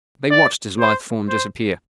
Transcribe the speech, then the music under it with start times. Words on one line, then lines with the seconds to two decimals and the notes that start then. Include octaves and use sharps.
They watched his lithe form disappear.
0.31 D5
0.80 C5
1.29 C5